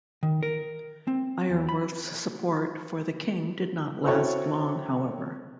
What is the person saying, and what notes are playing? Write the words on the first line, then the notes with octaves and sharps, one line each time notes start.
Iorwerth's support for the king did not last long however.
D#3
A#4
C4
E2
B5
C4 E4 F#4 A4 C#5